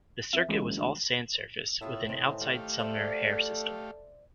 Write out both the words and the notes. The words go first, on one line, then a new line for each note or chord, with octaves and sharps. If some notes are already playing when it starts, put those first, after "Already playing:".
The circuit was all sand surface with an 'Outside Sumner' hare system.
F2 E5
C#3 E3 G#3
F#1
D2
A2 A3 B3 F4 E5
C3 D#3 E3 C5
A3 G4 F5
A4 C5 D5 E5